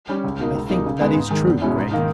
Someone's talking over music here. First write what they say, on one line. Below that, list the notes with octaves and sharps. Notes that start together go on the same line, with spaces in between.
"I think that is true, Gregg!"
G3 C#4
C#2
B2 A#3 D#4
C#2
B2 G3 A#3 D#4
C#3
G#3 B3 D#4
G#2
D#3 G#3
E2
B2 G#3 C#4 E4
G#2
D#3 A#3 D#4